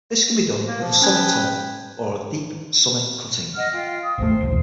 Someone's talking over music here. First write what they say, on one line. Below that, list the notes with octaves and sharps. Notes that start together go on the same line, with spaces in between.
This can be done with a summit tunnel or a deep summit cutting.
A#3
F3
C#4 B4 G5 G#6
D#5 F#5 F6
F4 G5
D#6
G#1 D#2 A3 C5
D1 B1 E2